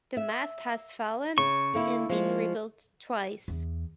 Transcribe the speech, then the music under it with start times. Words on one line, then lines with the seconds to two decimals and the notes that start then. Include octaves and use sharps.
The mast has fallen and been rebuilt twice.
0.17 E5
1.38 C#3 C#6
1.74 D3 A#3 E4
2.09 F3 G#3
3.48 E2